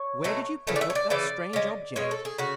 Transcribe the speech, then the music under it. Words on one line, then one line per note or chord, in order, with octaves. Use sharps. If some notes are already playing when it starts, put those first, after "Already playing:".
'Where did you pick up that strange object?
Already playing: C#5
B2 F#3 A3
C#3 E3 A3
D5
E5
C#5
D5
C#3 E3 D5
C#3 G#3
B2 G#3 C#5
A4
G#4
C#3 F#4